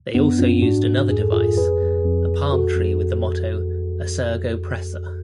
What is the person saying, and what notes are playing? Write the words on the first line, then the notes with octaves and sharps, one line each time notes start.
They also used another device, a palm tree with the motto, "Assurgo pressa".
F#2 B3 D4
F#2 C#4 F4
G#2 D4 F#4
G#2
F2 G#4
A4
F2 F4 G#4
F2 G#4 B4
F2
F2
F2
F2 F#4 A4
F2